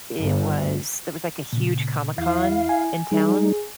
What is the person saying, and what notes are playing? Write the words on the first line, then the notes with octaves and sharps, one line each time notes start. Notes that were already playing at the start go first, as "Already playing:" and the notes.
it was there was, like, a huge Comic Con in town.
G1
A#2 C#3
E2 E4 F5
G#5
G3 D#4 G#4